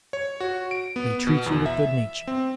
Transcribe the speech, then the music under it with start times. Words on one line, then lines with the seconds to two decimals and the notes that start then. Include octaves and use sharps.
They treat you with good-nature.
0.13 C#5
0.40 F#4
0.71 D7
0.96 B3
1.27 B2
1.46 E2
1.66 E5
2.27 C4